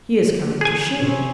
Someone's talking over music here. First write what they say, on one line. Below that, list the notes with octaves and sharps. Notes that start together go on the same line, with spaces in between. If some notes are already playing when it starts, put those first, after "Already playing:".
He is coming to shoot.
G#4 G#5
C3 C#4